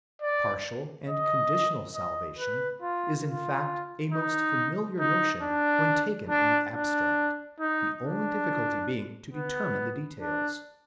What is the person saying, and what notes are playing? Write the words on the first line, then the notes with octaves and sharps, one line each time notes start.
Partial and conditional salvation is in fact a most familiar notion when taken in the abstract, the only difficulty being to determine the details.
D5
D#5
D#5
B4
F4
F4
D#4
D#4
D4
D4
D4
D#4
D4
B3
D4